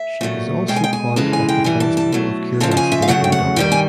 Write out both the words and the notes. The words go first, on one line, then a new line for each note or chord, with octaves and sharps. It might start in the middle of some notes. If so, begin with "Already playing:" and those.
She is also part of the Festival of Curiosity in Dublin.
Already playing: E5
A#2 F#3 A3
B2 G#3 G5
G#5
G5
G#5
F2 C#3 E3 G#3 A5
G#5
G5
G2 E3 G3 G#5
A5
A5
B2 F#3 A3
F#2 C#3 F3 G#3 A5
A5
G#5
E5
F5
D2 C#3 F#3 A3 F#5
G5
F#5
G2 D#3 G3 G5
G#5